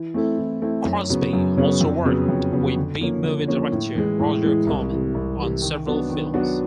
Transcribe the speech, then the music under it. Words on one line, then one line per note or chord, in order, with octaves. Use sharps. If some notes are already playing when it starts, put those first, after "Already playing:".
Crosby also worked with B-movie director Roger Corman on several films.
Already playing: E3
A3 C4 E4 A4
E3
A3 C4 E4 A4
F#2
C#3 F#3 B3
F#2
C#3 F#3 B3
F2
C#3 F#3 B3
F2
C#3 F#3 B3
D3
F3 A#3 C#4
D3
F3 A#3 C#4
A2
E3 G#3
A2
E3 G#3
C2
C3 E3
C2
C3 E3
D#3
F#3 B3 D4 F#4
D#3
F#3 B3 D4 F#4